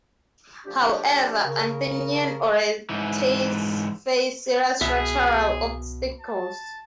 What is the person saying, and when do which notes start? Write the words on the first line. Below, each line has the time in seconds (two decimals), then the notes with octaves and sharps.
However, Athenian orators faced serious structural obstacles.
0.66 F3 A3 D4 G4
1.45 C#3 A#4
2.89 G#2 E3
4.81 C2 B2 G#4 E5
6.21 A5